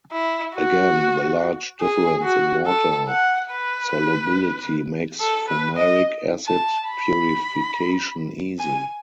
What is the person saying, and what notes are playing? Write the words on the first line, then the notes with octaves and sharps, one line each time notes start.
Again, the large difference in water solubility makes fumaric acid purification easy.
E4
F#4
G#4
F#4
A4
F#5
B4
A4
B4
D#5
A5
B5
G#5